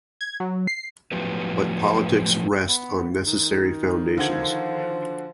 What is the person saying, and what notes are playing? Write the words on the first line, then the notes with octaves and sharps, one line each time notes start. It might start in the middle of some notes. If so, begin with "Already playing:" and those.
But politics rest on necessary foundations.
G#6
F#3
C7
A2 F3 F#3 B3 G4 B4
B3
D#3
D3 F3 F#4 G#6